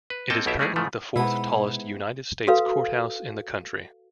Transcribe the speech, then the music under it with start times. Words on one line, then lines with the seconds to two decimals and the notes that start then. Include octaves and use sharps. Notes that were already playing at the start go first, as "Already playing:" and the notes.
It is currently the fourth tallest United States courthouse in the country.
0.10 B4
0.30 A#3 C4 A4 D#5 G5 A5
0.46 B1 B2 E4 F4 G4 E5
0.59 G3 A3 D#4 E4 G#4
0.76 G#2 C#3 F3 A3
1.16 G#2 B2 B3 E4 D#6
2.47 F#4 A4 B4 F5